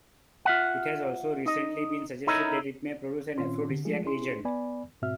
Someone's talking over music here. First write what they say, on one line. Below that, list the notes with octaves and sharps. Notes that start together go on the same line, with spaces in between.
It has also recently been suggested that it may produce an aphrodisiac agent.
F4 E5 F#5
D#4 D#5
D#4 E4 A4 A#4 C#5 D#5
A#2 D#3 C4 C#4 F4 C6
D3
F3 G#3 A3 F4 G#4
C#4 E4 G#4 C6
B3 D5 G#5 B5
G#2 B2 C4 F#4 E5 F6